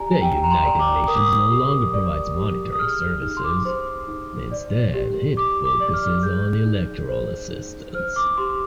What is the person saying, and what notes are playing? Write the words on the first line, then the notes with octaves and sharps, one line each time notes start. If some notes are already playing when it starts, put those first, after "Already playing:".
The United Nations no longer provides monitoring services, instead it focuses on electoral assistance.
Already playing: G4 D5 G#5 A#5
G#5
G4 G5
A#5
C6
D5
D6
A#4 D#6
D6
D#6
G4
D5
G4
D#6
G#4 F6
F6
D#4 F6
C6
D6
C5 C6
D#4
D5
G4
G4 D6
D6
D5
F6
G#4 G6
D#4
C5
D#4
C5 F6
D6
G4 C6